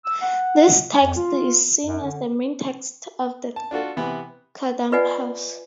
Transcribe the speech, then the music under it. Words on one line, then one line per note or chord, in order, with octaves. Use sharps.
This text is seen as the main text of the Kadampas.
E6
F#5
F2
F4
F#2
D3
A5
D4 F4 F#4 A4
C3 E3 B3 B5
F4 B4 D5 D#5 F#5 G#5